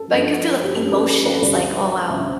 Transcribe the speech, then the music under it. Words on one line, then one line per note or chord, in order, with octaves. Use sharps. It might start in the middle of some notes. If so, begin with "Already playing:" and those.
like, you could feel the emotions, like, "Oh, wow.
Already playing: A4
F3
G2
G4
G2 F3 A4
G4 B4
A4
G4 B4
D2 C3 G3 B4 D5
D2 C3 G3 C5 E5